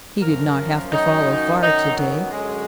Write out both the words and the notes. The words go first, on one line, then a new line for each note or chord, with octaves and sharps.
He did not have to follow far to-day.
F#2 F3 A#4
F#2 D#3 F#3 D#4
F#2 D#3 F#3 D#4
B3
F#2 D3 F#3 G#3